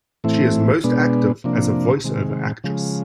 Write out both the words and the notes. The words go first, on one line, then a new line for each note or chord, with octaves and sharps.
She is most active as a voice-over actress.
A2 E3 A3 C4 E4
B2 G#3 B3 D4
C3 F3 A#3 D4
C3 D#3 G#3
C#3 F3 G#3